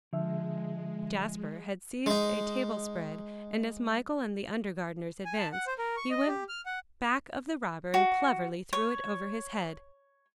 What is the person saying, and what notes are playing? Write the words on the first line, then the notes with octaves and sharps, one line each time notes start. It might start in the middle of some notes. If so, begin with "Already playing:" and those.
Jasper had seized a table-spread, and as Michael and the undergardeners advanced, he went back of the robber, and cleverly threw it over his head.
D3 F3 G#3 E5
G#3 D#4
G#5
A5
F#5
C5
A#4
C#6
D#5
G4
F6
F#5
F#4
C#5